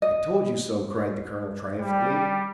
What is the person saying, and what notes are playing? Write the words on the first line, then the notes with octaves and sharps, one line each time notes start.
"I told you so," cried the colonel, triumphantly.
D#5
G3